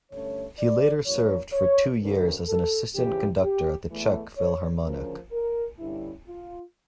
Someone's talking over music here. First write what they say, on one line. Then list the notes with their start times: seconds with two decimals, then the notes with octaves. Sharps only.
He later served for two years as an assistant conductor at the Czech Philharmonic.
0.11 G2 D3 A3 C#4 C#5
0.59 D5
1.06 G2 F3 A#3 C#5
1.53 C#5
2.00 D2 D3 A3 C#4 A#4
2.48 A4
2.95 F2 C#3 E3 G4
3.43 G4
3.90 E2 E3 A3
4.37 C#5
4.84 D2 C#3 F3 C#4 A#4
5.32 A#4
5.79 G2 D3 G3 C#4 E4
6.27 F4